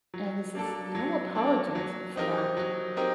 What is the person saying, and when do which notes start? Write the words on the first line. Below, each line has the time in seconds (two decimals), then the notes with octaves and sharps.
And this is no apologies for that.
0.14 F#3
0.55 A#3 D4 A4
0.95 F#3
1.35 A#3 D4 A4
1.75 F#3
2.16 C4 D#4 G4 A#4
2.57 F#3
2.97 C4 D#4 G4 A#4